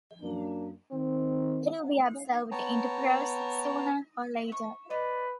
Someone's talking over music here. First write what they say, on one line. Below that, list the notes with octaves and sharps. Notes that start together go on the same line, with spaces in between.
It'll be absorbed into prose sooner or later.
F#2 A#3 D4
D#3 C4
B3 C#5 G5 A5 A#5
C#6
B4 D5 D#5